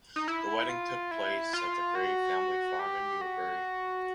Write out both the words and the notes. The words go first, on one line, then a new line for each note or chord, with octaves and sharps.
The wedding took place at the Gray family farm in Newbury.
D#4
E4
F4
E4
F4
F#4
G4
F#4